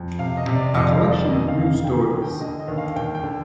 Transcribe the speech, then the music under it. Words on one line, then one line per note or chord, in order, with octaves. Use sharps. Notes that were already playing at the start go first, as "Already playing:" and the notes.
A collection of New Stories.
Already playing: F2
C3 F5
D#5
C3
D5
F2 D#5
F5
F1
D5
D#2 D#5
F5
F1
F5
D3 G5
G#5
D#2
G5
D3 D#5
D#5
D#2
F5
D#2 G5
G5
D3